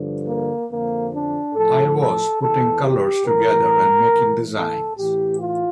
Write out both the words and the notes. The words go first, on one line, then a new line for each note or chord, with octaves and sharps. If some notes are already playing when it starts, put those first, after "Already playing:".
I was putting colors together and making designs.
Already playing: G2 D3 F3
A#3
F2 D3 F3 A#3
D4
A2 F3 A4
A4
E2 E3 A4
G4
A2 E3 A#4
A2 E3
A4
A2 E3 G4
F4